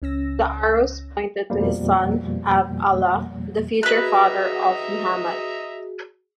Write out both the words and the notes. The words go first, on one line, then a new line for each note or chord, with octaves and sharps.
The arrows pointed to his son Abd-Allah, the future father of Muhammad.
C#2 C#4 E6 A#6
F2 B2 F3 G3 A#3
F#4 G#4 B4 D#5 E5 A#5 F#6